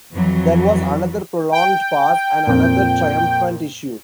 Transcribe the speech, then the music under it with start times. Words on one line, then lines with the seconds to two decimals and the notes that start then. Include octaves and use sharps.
There was another prolonged pause and another triumphant issue.
0.13 F2 E3 F#3
1.52 G5
2.47 F2 A#2